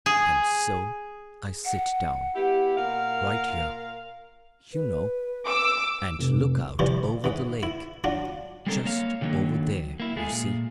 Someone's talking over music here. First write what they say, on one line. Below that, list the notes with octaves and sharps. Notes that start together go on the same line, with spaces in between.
And so I sit down--right here, you know--and look out over the lake--just over there, you see.
G#4
F#5
B3 E4 G4
A#2 A#4 F5
B4
D6 E6
F1
C3 E3 F3 G3
G#2 E3
E4
F#3 D4 F4
G3 G#3 C4 D4 A4 A#4
A#3 C#5 F5
D3 D#3 F#3 A#3
A#3 E4
G#3 A3 F4 G#4
A#2